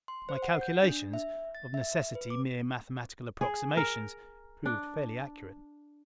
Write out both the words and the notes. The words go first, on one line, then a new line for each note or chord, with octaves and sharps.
My calculations--of necessity mere mathematical approximations--proved fairly accurate.
C6
C5
F#5
G6
D4
E5
A6
E5
B4
D6
G#4
A#4
D4